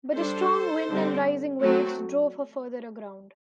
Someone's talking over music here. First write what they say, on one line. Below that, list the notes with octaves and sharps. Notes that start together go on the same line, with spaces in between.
But a strong wind and rising waves drove her further aground.
G3 D4 A4 C5
D3 G3 C4
F#3 A3 C4 F#4 A4